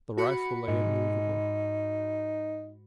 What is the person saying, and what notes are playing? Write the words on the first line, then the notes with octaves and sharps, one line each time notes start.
The rifle lay immovable.
F#4 B5 C#7
G#2 D#4